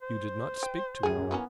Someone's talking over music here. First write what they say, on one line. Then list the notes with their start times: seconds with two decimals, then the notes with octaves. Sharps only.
'You did not speak to him.'
0.02 C5
0.63 G5
1.03 F#2 G3 G#4 G#5
1.31 E3 A#3 B3 C#4